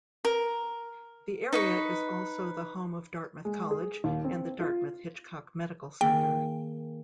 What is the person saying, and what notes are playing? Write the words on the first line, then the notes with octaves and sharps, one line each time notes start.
The area is also the home of Dartmouth College and the Dartmouth-Hitchcock Medical Center.
A#4
D#4 B4 C#6
G#3
G#4
D#2
C4
F4
D#3 A#3 G#4 G5